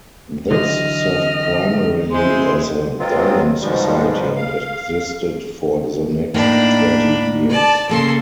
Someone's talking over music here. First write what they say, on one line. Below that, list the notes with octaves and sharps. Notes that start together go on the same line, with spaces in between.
This served primarily as a dining society, and existed for the next twenty years.
D3 E3 F#3 D#5 F6
G#3 E4 C5 C6
F#3 G#3 B3 C4 F4
G#2 B2 F3 G3 G#3
F5
A2 A#3 D4 D#4 B5
D5 A5
C#3 A#3 G#4 A4 C6